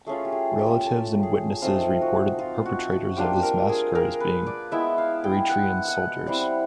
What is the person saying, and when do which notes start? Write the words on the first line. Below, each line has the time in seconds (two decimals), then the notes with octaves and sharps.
Relatives and witnesses reported the perpetrators of this massacre as being Eritrean soldiers.
0.06 A3 C#4 F4 G#4
0.25 G4
0.32 G#4
0.59 G4
0.85 A4
1.23 G#4
1.62 F3 A3 C4 D#4 F4
2.01 F#4
2.39 F4
2.65 F#4
2.92 F#4
3.17 A#3 D4 F4 G4
3.43 A#4
3.69 G#4
3.95 A#4
4.20 B4
4.47 D5
4.72 G#3 B3 E4 E5
4.98 F5
5.24 G5
5.50 F#5
5.88 F#5
6.27 G3 C4 E4 F#5